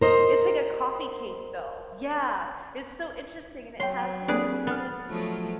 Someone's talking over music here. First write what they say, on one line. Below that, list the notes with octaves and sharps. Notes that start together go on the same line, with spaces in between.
It's like a coffee cake, though. Yeah. It's so interesting and it has, like, a cinnamon,
A#4 C5 D#5
F#3 C#5 G5 C6
A#3 C4 D4 G#4 B4 D5
B3 F6 A6
F3 F#3 A3